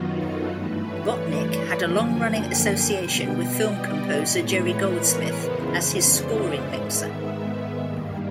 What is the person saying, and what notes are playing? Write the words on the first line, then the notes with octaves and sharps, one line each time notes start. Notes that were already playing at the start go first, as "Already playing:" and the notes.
Botnick had a long-running association with film composer Jerry Goldsmith as his scoring mixer.
Already playing: F#2 D#3 F#3 B3 D#4 F4 F#4
A4
G2 E3 A3 B4
C#5
D5
F#2 D3 F3 A#3 G#5
G5
G#5
B2 G3 B3 G5
D#5
D5
D5
A2 E3 G#3 B3 C#5
B4
A#4
B4
F2 C#3 E3 G#3 B3 C5
C5
D5
E5
G#2 D#3 G#3 B3
G2 D#3 G3 A#3